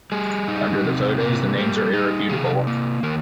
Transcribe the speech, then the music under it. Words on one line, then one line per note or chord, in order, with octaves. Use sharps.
Under the photos, the names are irrefutable.
G3 G#4
D#4
C3
A#3
G3
D#4
C3 G#4
A#3
D#3 A#4